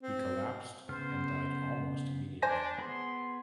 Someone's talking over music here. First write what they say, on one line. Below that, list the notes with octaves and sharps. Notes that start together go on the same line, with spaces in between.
He collapsed and died almost immediately.
C4
C#3 B3 C5 F6
D4 C5 G#5 A#6
B3 G#4 B5 C6